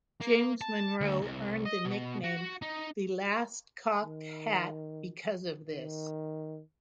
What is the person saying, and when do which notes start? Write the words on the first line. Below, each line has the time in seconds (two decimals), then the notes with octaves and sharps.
James Monroe earned the nickname "The Last Cocked Hat" because of this.
0.22 A#3
0.61 A5
1.01 D2
1.21 C2
1.65 D#5
1.85 B2
2.24 F#4
2.62 D#4
4.04 D#3
5.71 D#3